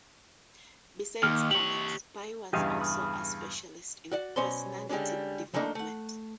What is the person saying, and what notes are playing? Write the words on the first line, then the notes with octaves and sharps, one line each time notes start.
Besides comics, Pai was also a specialist in personality development.
D#2 F6
G4 C#5 F#7
E2 G2 C#3 G4 D#5 F5
B5 D#6 F6
F#4 D5 F#5
B2 F#3 C#4 C5 D5 C6
D3 G3 G#3 C#4 D4
F3 A3 A#3 D4 D#4
A3 F#5